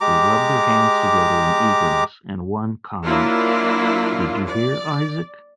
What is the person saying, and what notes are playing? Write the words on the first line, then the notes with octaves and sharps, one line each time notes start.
They rub their hands together in eagerness, and one comments: Did you hear, Isaac?
G#3 G4 A#5 D6
F#3 A#3 D4 E4 F4
D5